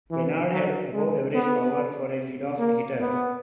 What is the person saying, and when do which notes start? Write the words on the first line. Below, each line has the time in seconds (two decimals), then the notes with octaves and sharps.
Benard had above-average power for a leadoff hitter.
0.11 E3
0.52 F#3
0.93 G#3
1.35 B3
2.59 A#3
3.00 B3